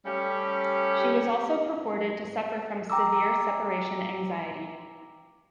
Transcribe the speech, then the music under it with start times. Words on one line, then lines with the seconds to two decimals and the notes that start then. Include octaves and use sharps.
She was also purported to suffer from severe separation anxiety.
0.05 G3 A3 C#4 G4
2.90 G5 A#5 D6 E6